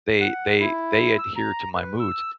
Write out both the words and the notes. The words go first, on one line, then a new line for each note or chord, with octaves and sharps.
they they they adhere to my moods,
F#5
E4
E6
A#5
B4
E6